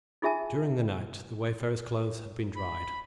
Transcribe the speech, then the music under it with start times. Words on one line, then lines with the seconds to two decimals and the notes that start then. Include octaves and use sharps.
During the night the wayfarer's clothes had been dried.
0.22 D#4 F4 G#4 E5 G#5 A5
2.56 B5